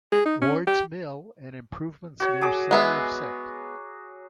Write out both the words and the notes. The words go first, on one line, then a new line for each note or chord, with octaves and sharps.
Wards Mill and improvements near center of Sec.
G#4
D#4
C#4
G4
F#4 C#5
F#3 G#4 D6
G#3 B3 E5